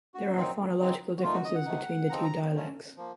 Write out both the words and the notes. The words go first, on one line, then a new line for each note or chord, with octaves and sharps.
There are phonological differences between the two dialects.
F#4
A#2 F#3 C4 D#4
C#3 F#3 C4 D#4
F#4
A#2 A3 D#4 F4
F#4
D#5
F#5
C3 D#3 A3 D#4
F3 C4 D#4 A#5
A#5
A#2 F#3 A3 C#4
F3 A#3